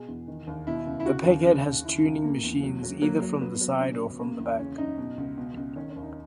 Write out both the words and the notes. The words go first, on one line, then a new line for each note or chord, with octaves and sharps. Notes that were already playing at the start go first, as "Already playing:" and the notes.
The peghead has tuning machines either from the side or from the back.
Already playing: B2 G#4
E2
D#3
D#2
B2 E4
C#2
E4
C#3 F#4
D#2
C#3
D#2
C#3 E4
C#2
C#3 A#3
E2
F#3
F#3
F#3 A#3
F#3
F#3 B3
F#3
B2 C#4
C#4
C#2
B3
C#3 A#3
E2
C#3 C#4
F#2 D#4
B2
C#2
B2
C#2
D#3 C#4
C#4
D#2
D#4